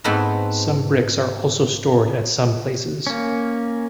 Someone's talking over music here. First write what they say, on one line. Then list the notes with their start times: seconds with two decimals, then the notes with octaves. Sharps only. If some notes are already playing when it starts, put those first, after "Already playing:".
Some bricks are also stored at some places.
0.04 G#2 A3 B3 C4 D#4 E4
3.07 A#3 C#4